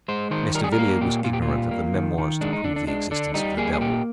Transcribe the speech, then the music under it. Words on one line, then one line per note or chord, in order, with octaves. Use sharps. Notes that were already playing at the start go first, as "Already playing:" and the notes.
Mr. Villiers was ignorant of the "Memoirs to prove the Existence of the Devil."
G#3 C5
D#3 C5
G3 A#4
G#4
A#4
A#3
A#2 G4
A#2 F4
G4
F4
G3
A#3
D#3
D#3
G#3 D4
D#4
D3 D4
D4
G#3 D4
D3 D4
G3 D#4
A#3 G#4
G#4
A#2 G4